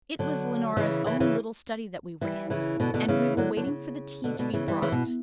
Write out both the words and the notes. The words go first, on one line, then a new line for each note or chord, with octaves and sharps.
It was Leonora's own little study that we were in and we were waiting for the tea to be brought.
D3 F#3
C#3 E3
C#3 E3
C#3 E3
E3 G3
C#3 E3
B2 D3
B2 D3
C#3 E3
D3 F#3
D3 F#3
C#3
B2 D3
B2 D3
C#3 E3
E3 G3
C#3 E3
B2